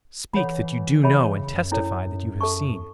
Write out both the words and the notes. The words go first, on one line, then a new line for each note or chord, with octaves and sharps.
Speak that you do know and testify that you have seen.
E3 A4 C#5 F#5 B5
C#4 G#4 C#5 E5 B5
C#3
F#2
C#4 E4 A4 C#5
F#2
A4 E5 A5 C#6